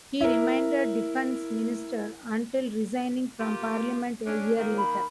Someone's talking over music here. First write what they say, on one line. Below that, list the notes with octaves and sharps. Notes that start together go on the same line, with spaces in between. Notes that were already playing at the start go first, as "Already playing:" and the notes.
He remained Defence Minister, until resigning from parliament a year later.
E4 A#4
A#3 F4 G4
C#4 D4
D#3 A#3
B5